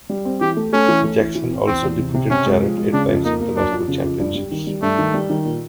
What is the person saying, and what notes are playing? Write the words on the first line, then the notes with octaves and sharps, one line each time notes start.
Jackson also defeated Jarrett eight times at the national championships.
G3
C4
E3 G4
A3
A3 C#4
E3
A3
E3
E3
C4
E2 C4
E2
C3
C3
C3 C#4
G#3
F3
G#3
C#3 D4
F2
A#3 D#4
A#3
F#3 D4
F2
C#3
F2
G2
G3
D#3
G3
G2 A3
D#3
G3
D#3
A#2